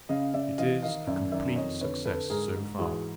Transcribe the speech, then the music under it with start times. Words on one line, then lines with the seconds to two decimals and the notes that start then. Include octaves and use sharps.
It is a complete success so far.
0.09 C#3 D#5 F5
0.34 C#3 D5 E5
0.58 E3 D#5 F5
0.83 D#3 D#5 F5
1.07 F#2 D5 E5
1.32 D#3 D5 E5
1.56 F2 C#5 D#5
1.81 D3 B4 C#5
2.05 D3 A4 B4
2.30 G#2 G#4 A#4
2.54 G#2
2.79 E3 F#4 G#4